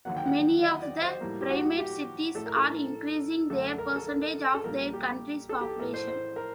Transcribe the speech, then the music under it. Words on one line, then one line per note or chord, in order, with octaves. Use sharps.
Many of the primate cities are increasing their percentage of their country's population.
D#2 D3 F#3 A#3 F#5
G5
F#5
D#5
D5
C5
A2 G3 A#3
G4
F#4
G4
A2 A3 A4
A#4
A4
F#2 D3 A3 A4
A#4
A4
A#4
A4
A#2 G3 A#3 A#4
G4
A4
G4
A2 A3 A#4
C5
C5
A#4